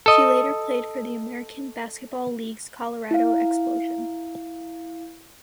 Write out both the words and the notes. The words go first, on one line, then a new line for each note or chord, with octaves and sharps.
She later played for the American Basketball League's Colorado Xplosion.
A4 D#5
E4 F5